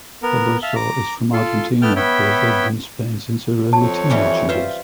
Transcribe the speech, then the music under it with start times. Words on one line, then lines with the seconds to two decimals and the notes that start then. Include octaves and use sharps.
Peluso is from Argentina but has lived in Spain since her early teenage years.
0.23 B3 A#4
0.63 E5 F5 A5
0.76 A#5 D6
1.33 F4 A4 C6
1.82 A3 B3 G5 A5 F6
1.96 B3 C#5 E5 G5 B5
3.73 F2 C#5 A5
4.10 E3 G3 C#4
4.49 F4 B4 C5 E5